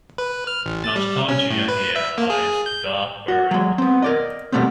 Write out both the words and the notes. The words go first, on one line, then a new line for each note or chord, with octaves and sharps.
Nostalgia Here lies the dog buried.
B4
F6
A1
A6
G3
C#4
A2
B4
E5
A#3
G#4
G6
F#4
F#3 G#3
B3 C4
A#4 D5 D#5
B2 D3 G3 A3 B3 C4